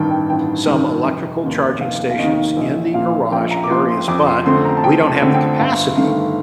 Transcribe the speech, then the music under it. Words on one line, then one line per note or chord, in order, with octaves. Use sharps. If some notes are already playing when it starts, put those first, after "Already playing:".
some electrical charging stations in the garage areas, but we don't have the capacity
Already playing: A1 G2 D#3 G5 A5
G5
A1 G5
G2 D#3
F1
D#2 D#3
F1 F5
F5
D#2 D#3 D#5
A#1 D#5
A#2 F3 F5
A#1 G5
A#5
D6
A#2 F3 C6
C6
F2 D6
C6
D3 A3 C4 C6
A#5
A5
F2 G5
A5
D3 A3 C4
G5
G1 F5
G2 D#3 A3 F5